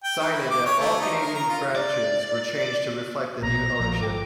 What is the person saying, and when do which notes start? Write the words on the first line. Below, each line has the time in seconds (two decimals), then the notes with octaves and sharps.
Signage at all Canadian branches were changed to reflect the new ownership.
0.04 G5
0.20 D#3
0.32 E4
0.50 D6
0.66 C#5
0.79 A3
1.01 D#4
1.20 A#4
1.34 A#5
1.49 F4
1.75 D5
3.42 A#1 B2 A#5
3.79 A#1 F3
4.00 G#1 A4 C5 G5 D6